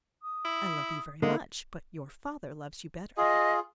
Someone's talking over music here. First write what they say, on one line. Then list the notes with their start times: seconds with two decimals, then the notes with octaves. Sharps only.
"I love you very much, but your father loves you better."
0.23 D#6
0.45 E4
1.22 D3 G#3 A#3 D#4 E4 C5
3.17 F4 G#4 D#5